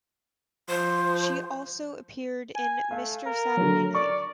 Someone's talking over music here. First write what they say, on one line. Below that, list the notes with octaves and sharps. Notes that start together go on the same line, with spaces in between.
She also appeared in "Mr. Saturday Night".
F3 C5
G#5
A3 F5
A#4
D3 F#3
D5 C#6